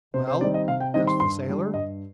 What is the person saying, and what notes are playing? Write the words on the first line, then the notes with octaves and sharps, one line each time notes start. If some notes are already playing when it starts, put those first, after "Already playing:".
"Well?" asked the sailor.
C3 C5
C5
D#3 G3 C4 D#4 D5
D#5
C3 F5
G5
D#3 G3 C4 D#4 D#5
C6
G2 C6
D3 G3 D4
G2 D#5